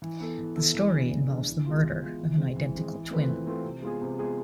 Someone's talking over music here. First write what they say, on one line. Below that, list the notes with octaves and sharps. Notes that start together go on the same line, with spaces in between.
The story involves the murder of an identical twin.
E3
B3 E4 A4
E3
B3 E4 A4
E3
B3 D4 G#4
E3
B3 D4 G#4
E3
G#3 B3 F4
E3
G#3 B3 F4
E3
G#3 C4
E3
G#3 C4
E3
A3 C4 F4 B4
E3
A3 C4 F4 B4
C3
G#3 B3 F4 G#4
C3
G#3 B3 F4 G#4